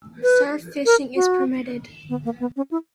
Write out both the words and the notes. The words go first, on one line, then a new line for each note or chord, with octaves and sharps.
Surf fishing is permitted.
B4
A#4
F#4
B3
A#3
B3
C#4
E4